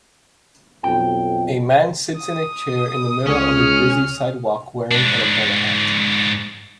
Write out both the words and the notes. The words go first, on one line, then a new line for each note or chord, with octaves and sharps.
A man sits in a chair in the middle of a busy sidewalk wearing an umbrella hat.
B1 F2 G5
D#6
C#2 C#4 F6
G#2 D4